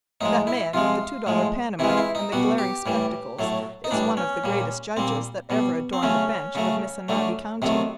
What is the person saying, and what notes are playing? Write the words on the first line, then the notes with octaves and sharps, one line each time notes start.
That man with the two-dollar panama and the glaring spectacles is one of the greatest judges that ever adorned the bench of Missinaba County.
A2 F3 G#3 D#4
E4
C3 F3 G#3 F4
A2 F3 G#3
C3 E3 G#3 E4
F4
E4
D#4
B2 G3 F#4
G4
A2 E3 G3
A2 F#3 A3
D#4
A2 E3 G3 D4
C#4
A#2 G3
A#2 G3 C4
B2 G3
C4
C#3 F#3 A3 C#4
C#3 F#3 A3
D3 F#3 A3
C3 D#3 F#3 A3